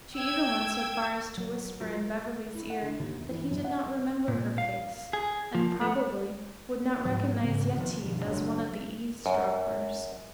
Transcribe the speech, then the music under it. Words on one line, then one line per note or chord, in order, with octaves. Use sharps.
She even went so far as to whisper in Beverly's ear that he did not remember her face, and probably would not recognize Yetive as one of the eavesdroppers.
G5 E6 G#6
F#3
F4 F#4 A#4 C5 E5
E4
F#5
D3
D#2
G1
E3
F#2
F#5
F#5
A#2
F5
G#4
F3
A3
G#2 F3 F#3
G#2 C#3 C4
A#2 D#3 F3
G2 B2 D#3 F3
F#1 F#2 F#3 D4
F#2